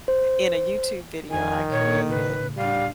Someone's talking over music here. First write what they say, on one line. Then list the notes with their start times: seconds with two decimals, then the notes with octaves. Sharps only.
in a YouTube video I created,
0.08 C5
1.31 F2 D#3 G#5
1.71 A#2 A#3 C#5
2.10 A2 C#3 B4
2.57 A2 G3 D4 F5